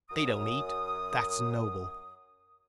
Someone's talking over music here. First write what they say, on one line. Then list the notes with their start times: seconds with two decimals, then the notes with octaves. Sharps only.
They don't eat; that's noble.
0.10 F#2 D#6